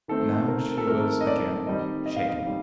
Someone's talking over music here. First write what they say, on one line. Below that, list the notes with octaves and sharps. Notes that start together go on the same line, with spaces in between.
Now she was again shaken.
D#3 A3 C4 A4
A#4
A4
D#3 A3 C4 A#4
D#5
D5
D#3 G3 C4 D#5
D#5
F5
D#5
D#3 G3